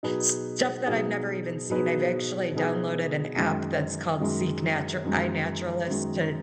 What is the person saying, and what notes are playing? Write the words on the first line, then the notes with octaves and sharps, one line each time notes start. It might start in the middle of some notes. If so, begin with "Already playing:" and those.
stuff that I've never even seen, I've actually downloaded an app that's called Seek Natur iNaturalist to
B2 F#3 D#4 G#4 B4
B2 F#3 D#4 G#4 B4
B2 F#3 D#4 G#4 B4
B2 F#3 D#4 G#4 B4
F#2 D#3 G#3
F#2 D#3 G#3
F#2 D#3 G#3
F#2 D#3 G#3